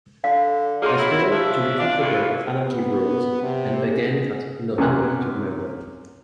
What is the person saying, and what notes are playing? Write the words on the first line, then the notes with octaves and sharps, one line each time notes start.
They failed to recapture them at Anarchy Rulz and again at November to Remember.
D3 F5
F#3 A#3 D#4 G#4 C6
E4
F3 C#4 D4 E5
D4 F4
G2 A#2 E3
B3
C3
G#4
F#2 C3 G#5 F#6